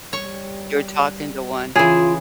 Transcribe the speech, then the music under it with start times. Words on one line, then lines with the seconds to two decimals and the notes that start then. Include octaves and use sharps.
You're talking to one.
0.13 G3 C#5
1.76 C#3 E3 F4 G#4